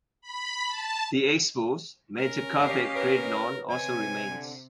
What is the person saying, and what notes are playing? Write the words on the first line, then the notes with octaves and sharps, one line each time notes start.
The expo's "Magic Carpet Great Lawn" also remains.
B5
A5
C#4 A#4
G4 D#5 F5
A#4 B4 C#5
C3 G#5
D3